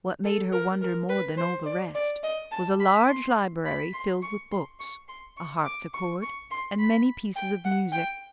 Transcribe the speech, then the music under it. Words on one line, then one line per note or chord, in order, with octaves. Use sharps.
What made her wonder more than all the rest, was a large library filled with books, a harpsichord, and many pieces of music.
A4
A#4
A#4
B4
C5
D5
D5
D#5
A5
B5
C6
B5
C6
C#6
C6
C#6
C6
C#6
D6
C#6
C#6
C6
B5
G5
F#5
G5